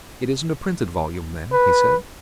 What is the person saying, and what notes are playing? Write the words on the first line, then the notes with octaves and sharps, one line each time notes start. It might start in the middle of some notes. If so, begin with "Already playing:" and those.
"It isn't a printed volume, then?" he said.
B4